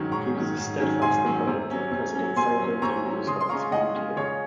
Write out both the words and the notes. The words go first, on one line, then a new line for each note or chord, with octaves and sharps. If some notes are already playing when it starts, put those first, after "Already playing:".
He was a steadfast opponent of President Franklin D. Roosevelt's New Deal.
Already playing: G#2 D#3 F#3 C#4
G#2 A#5 C#6
D#3 F#3 C#4
G#2
D#3 F#3 C#4
G#2 G#5 C6
D#3 F#3 C#4
C3
F#3 C#4
C3
F#3 C#4
C3 G#5 C6
F#3 C#4
C3 A#5 C#6
F#3 C#4
C#3 C6 D#6
C6
G#3 C#4 F4 A#5 C#6
C#3 D#5 F#5
G#3 C#4 F4
C#3 C#5 F5